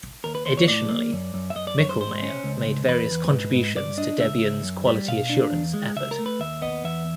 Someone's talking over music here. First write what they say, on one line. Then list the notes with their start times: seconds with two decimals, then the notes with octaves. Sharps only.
Additionally, Michlmayr made various contributions to Debian's quality assurance effort.
0.24 D#2 A#4
0.35 B4
0.46 D#2 C5
0.57 C#5
0.68 A2 D5
0.90 A#3
1.13 F#2
1.34 F#2
1.50 E5
1.55 F#2 D#5
1.67 D5
1.78 F#2 C#5
1.89 C5
2.00 G#2 C5
2.23 C#4
2.44 C#2
2.67 C#2
2.88 E2 B4
3.11 E2
3.32 G#2
3.54 G#2
3.76 G2 D5
3.98 D4 D#5
4.20 C#2 E5
4.43 C#2
4.64 F#2
4.87 G3
5.08 B2 F5
5.30 D4
5.52 E2
5.74 G#3
5.96 C#2 E5
6.11 A#4
6.19 A3
6.26 B4
6.40 D#2 E5
6.62 B3 D#5
6.84 E2 E5